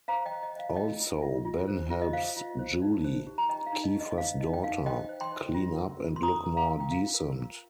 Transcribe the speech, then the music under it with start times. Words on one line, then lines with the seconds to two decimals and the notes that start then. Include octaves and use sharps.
Also, Ben helps Julie, Keefer's daughter, clean up and look more decent.
0.08 C5 F5 A#5
0.26 D#5 G5
0.32 C5
0.43 D#5
0.55 C5 D#5
0.59 F5
0.76 F4 D#5 G5
0.99 F4
1.22 F4
1.45 F4
1.68 C5
1.90 F4
2.02 D#5
2.13 C5 F5
2.37 F4
2.59 C5
2.82 D#4
3.04 C5
3.27 G4
3.38 A#5
3.49 G4 D#5 G5
3.66 F5
3.72 D#4
3.84 D#5
3.96 G4 D#5
4.11 D#5
4.18 C5 F5
4.41 D#4 D#5
4.54 G5
4.64 D#4 F5
4.86 C5 D#5 G5
5.09 C5
5.21 G5 C6
5.32 C5
5.54 F4
5.77 A#4
6.00 A#4
6.16 C6
6.23 A#4 A#5 D#6
6.45 A#4
6.57 F5 A#5
6.68 A#4
6.80 G5
6.91 F4 F5
7.14 A#4
7.37 A#4